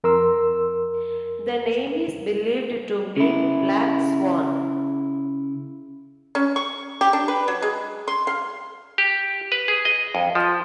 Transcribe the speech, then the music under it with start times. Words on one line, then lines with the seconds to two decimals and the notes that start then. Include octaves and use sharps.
The name is believed to mean black swan.
0.04 F2 A#4 C6 E6
3.16 C#3 E4
6.35 C#4
6.56 C#6
7.01 G4
7.13 D4
7.28 B4
7.48 F#3
7.62 G#3
8.08 C6
8.27 F5
8.98 G4
9.52 B4
9.68 G#4
9.85 D#5
10.15 F2
10.35 F3